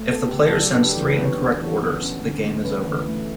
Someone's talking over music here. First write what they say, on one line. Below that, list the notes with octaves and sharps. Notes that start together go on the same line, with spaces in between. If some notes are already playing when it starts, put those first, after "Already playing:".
If the player sends three incorrect orders, the game is over.
Already playing: A3
B3 A4
C#3 G4
A4
F#3
D5
D4 B4
G4
E3 A4
B4
B3
C#5
D4
E3
B3
C#4
D3
A3
C#4 B4
E3
A3